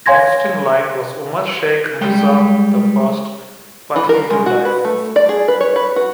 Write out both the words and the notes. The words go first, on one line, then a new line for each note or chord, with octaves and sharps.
Next in line was Umar Shaikh Mirza I but he too died.
C#5 F5 G#5 C6 G#6 A#6
G3 G#3 G5
E3
A#4
G#3
F#4
B4
A3
D5
G#4
B4
C#5
B4
F#4